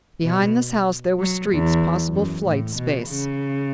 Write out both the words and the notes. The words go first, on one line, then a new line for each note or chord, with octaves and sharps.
Behind this house, there were streets, possible flight, space.
B2
F#3
E2
F#2
A2
B2
C#3